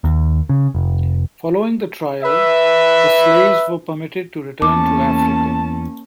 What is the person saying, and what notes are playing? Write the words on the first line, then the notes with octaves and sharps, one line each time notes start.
Following the trial, the slaves were permitted to return to Africa.
D#2
C#3
F1
B4 E5
E2 A#3 C#4 A5 D6